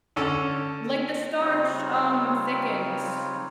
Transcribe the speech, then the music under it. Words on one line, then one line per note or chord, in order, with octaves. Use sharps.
Like, the starch, um, thickens.
D3 C#4 A4
C#3 G3 C4 D#4 F4 C#5